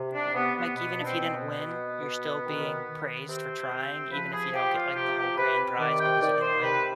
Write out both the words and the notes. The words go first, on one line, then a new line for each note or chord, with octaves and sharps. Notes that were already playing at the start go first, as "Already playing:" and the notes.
L like, even if you didn't win, you're still being praised for trying even if you don't get, like, the whole grand prize because you didn't win?
Already playing: C3
D4
C3 B3
B3
B2 B3
D4
C4
B2
B3
B2
B2
D#3
D#3
C3 C4
C3
F3 B4
G#4
F3 G4
F4
C3 G4
G4
C3 B4
D#3 D5
G5
D#3 D5
C5
C3 B4